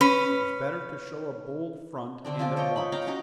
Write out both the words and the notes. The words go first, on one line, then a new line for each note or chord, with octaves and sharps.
It was better to show a bold front and at once.
C#4 B4
D3 C4 D4
F3 F4 D5 G#5
C5 C#5 D#5 G5
D#4 B5
C#5 F5 G5 A#5
C#4 D#4 F#4 F5